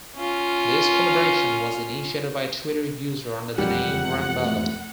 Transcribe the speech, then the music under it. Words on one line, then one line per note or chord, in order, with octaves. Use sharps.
This collaboration was initiated by a Twitter user under the name 'Ramballo'.
C#4 F4
E1 F2 G3 F#5
A3